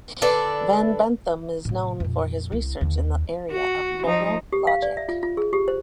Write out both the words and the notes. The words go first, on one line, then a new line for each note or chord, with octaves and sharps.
Van Benthem is known for his research in the area of modal logic.
D3 D4 A4 B4 D5
A2 C3
F2 A#2
C2 E4
D#2 D3
F#4
F3 D#4
G4
F5
D5
E5
F4
F4
G#4
G4
C5